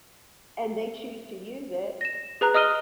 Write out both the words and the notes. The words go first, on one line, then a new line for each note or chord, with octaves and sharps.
and they choose to use it,
A#6 E7
G#4 B4 A#5 F#6
D#5 D#6 F6 D#7 G7